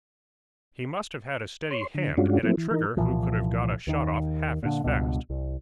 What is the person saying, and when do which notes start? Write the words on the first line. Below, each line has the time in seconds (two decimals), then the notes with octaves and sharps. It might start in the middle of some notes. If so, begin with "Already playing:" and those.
He must have had a steady hand at a trigger who could have got a shot off half as fast.
1.71 C#5 C6
1.94 D3
2.17 G2 G#3 C#4 D4 F4 F#4
2.43 F3 F#3 A3 A#3 C4 E4
2.57 E3
2.71 E3 D#4 A#4
2.97 C2 A#2 E3 F3
3.87 D#2 D#3
4.63 A#2 D3
4.84 C#2 G2 B2
5.30 C2